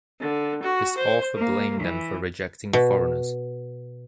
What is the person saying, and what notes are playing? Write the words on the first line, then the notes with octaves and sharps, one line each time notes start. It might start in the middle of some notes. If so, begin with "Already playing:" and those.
This author blame them for rejecting foreigners.
D3
F#4
C5
A#3
E3
B2